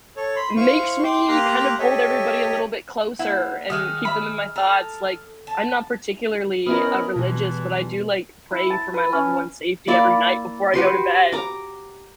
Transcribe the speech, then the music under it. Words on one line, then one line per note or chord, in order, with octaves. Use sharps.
makes me kind of hold everybody a little bit closer and keep them in my thoughts. Like, I'm not particularly, uh, religious, but I do like pray for my loved ones' safety every night before I go to bed.
A4 C#5
B5 C6
E4 C5 F5 C#6
G5 C6 D6
A#3 G4 F5 A#5 C6 F#6
G4 A4 C#5 D#5 E5
A#3 E4 F#5
D#3 G#3 D#4 F#5 D#6 F6
E5 B5
A4 A#5
A5
B3 C#4 D#4 E4 A#4 B5 D#6 F6
E2 B2 E3 G3 G#3 A5
E4
A5
B4
C#4
A#3 E4 D5 E5
F#4 G4 B4 C6
A#5 D6